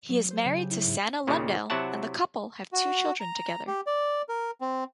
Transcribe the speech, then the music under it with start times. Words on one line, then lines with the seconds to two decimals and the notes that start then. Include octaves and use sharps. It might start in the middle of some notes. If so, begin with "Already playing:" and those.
He is married to Sanna Lundell and the couple have two children together.
0.09 F#3
0.30 C5
0.45 C#3
0.59 G4
0.71 E4
0.84 G#2
1.27 D#2 A#2 C#3
1.70 C3 F#3 E4 F#4 F#5 A5
2.73 F#4
3.20 A#5
3.67 G4
3.87 D5
4.29 A#4
4.61 C4